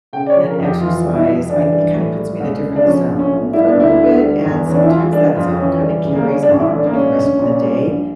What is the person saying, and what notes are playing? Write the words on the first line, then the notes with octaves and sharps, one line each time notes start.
and exercise, I it kinda puts me in a different zone for a little bit, and sometimes that zone kinda carries on through the rest of the day,
C#3 G5
D5
C#5
F3
A#4
F2
G4
E3 F4
G3
E4
F2
E3 D4
G3
A2
G3
C#2
C#3
D4
F3 C#4
A#1
C#4
A2
G3 E4
D4
D2 E4
D3
G3
E2
E3 C#4
D4
E4
E3 F4
G3 D4
F2 F4
E3 C#4
G3
C#3
A#3
G3 C#4
D4
A1
E4
A2
D4
A#3
G3 C#4
A#1
A#2
G3
A#1